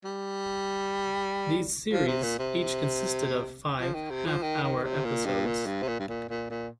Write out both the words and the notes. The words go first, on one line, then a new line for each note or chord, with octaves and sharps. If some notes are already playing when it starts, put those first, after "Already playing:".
These series each consisted of five half-hour episodes.
G3
F3
C3
A#2
C3
F3
D#3
C3
F3
D#3
D#3
C3
A#2
G2
A#2
G2
C3
A#2
G2
A#2
A#2
A#2